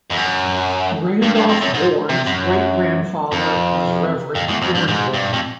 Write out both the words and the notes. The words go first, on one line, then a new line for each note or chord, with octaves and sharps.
Randolph Bourne's great-grandfather was Reverend George Bourne.
F2
F#2
G2
G2
F2
F#2
G#2
C3
F#2
F2
F2
E2
F2
G2
G#2
G2
F2